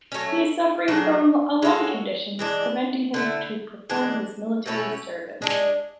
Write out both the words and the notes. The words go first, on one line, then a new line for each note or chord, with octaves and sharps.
He is suffering from a lung condition preventing him to perform his military service.
F#3 A3 C#4
F#3 A3 D4 G#4
G#3 C#4 F#4 A4
E3 G#3 D4
D3 A3 E4
E3 G#3 D4
B2 A3 C#4 E4
G#3 D4 G#4